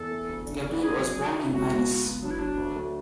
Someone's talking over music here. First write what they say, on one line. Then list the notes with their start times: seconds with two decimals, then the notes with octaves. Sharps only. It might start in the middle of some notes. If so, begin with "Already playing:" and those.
Gabrieli was born in Venice.
Already playing: E2 A4
0.11 A3
0.29 D2
0.47 D4
0.63 D4
0.81 A3 G#4
0.99 F#3
1.16 F#3
1.34 E4
1.52 C#2 F#4
1.69 C#2
1.87 B3
2.05 B3
2.22 F#3 D4
2.31 E4
2.39 F#3 D4
2.58 D2
2.76 A3